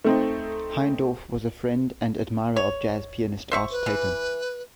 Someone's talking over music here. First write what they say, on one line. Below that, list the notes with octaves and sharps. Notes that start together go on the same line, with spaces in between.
Heindorf was a friend and admirer of jazz pianist Art Tatum.
A3 C4 D#4
C#5
C5 E5 C#6
B4
E3